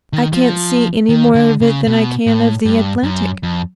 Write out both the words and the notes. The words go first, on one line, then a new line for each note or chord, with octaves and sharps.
"I can't see any more of it than I can of the Atlantic."
D#3
F3
D#3
D3
C#3
B2
A2
G2
F#2
F2